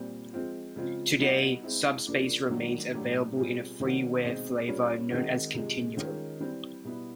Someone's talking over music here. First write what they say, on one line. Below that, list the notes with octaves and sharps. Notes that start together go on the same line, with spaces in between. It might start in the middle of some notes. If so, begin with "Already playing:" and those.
Today, Subspace remains available in a freeware flavor known as Continuum.
Already playing: A#2 G3 C4
F3 G#3 C4 F4
C#3 F3 G#3 C4 F4
G3 B3 D#4 F#4
G#3 C4 E4
C#3 F3 A#3 D4
D#3 F#3 A3 D4 F#4
A2 F#3 A3 D4 G4
B2 G3 C4 F4 G#4
D#3 G3 A#3 C#4 F#4
B2 G#3 C4 D#4
G3 A#3 C#4 F4
D#3 G#3 C4 D#4 F#4
C3 F3 G#3
D#3 G#3 C#4 F4
E3 G3 C4
B2 G3 B3 E4